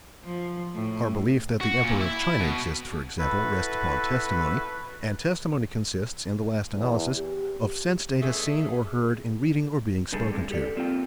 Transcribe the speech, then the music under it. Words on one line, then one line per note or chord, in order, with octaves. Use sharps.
Our belief that the Emperor of China exists, for example, rests upon testimony, and testimony consists, in the last analysis, of sense-data seen or heard in reading or being spoken to.
F3
A2
F#4
A#2
E4
B2
E4 F#4 A4 B4
E2
G4
B2 A3 D4 G#4
B2 D3 G3 G#4 A4
G3 G#3 C#4
G4 A4 D5
A#2 C4 F4 G5